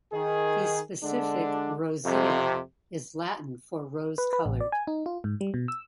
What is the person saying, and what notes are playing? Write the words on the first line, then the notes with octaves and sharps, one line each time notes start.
The specific "rosea" is Latin for "rose-coloured".
D#3 G#4
D3 G#3 D4
F2 C3
B4
B4
A1
D5
G#5
D#4
F4
G#2
G3
B2
E6